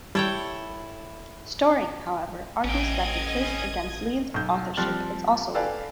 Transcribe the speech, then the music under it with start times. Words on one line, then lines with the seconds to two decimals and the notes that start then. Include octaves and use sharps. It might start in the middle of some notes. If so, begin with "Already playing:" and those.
Storing, however, argues that the case "against" Lee's authorship is also weak.
0.15 G3 E4 A4 C#5 G5
2.64 A1 C#4 D#5 G5 D#6 G#6
4.34 B1 G6
4.77 F3 G3 C4 F6 F#6 A6
5.55 A4 B4 D5 F5 G5 G#5